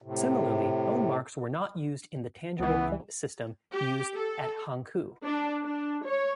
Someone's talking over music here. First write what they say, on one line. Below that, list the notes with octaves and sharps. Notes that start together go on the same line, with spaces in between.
Similarly, tone marks were not used in the tangible point system used at Hankou.
A2 C3
C#2 E3 B3
G4
A4
D4
D4
C#5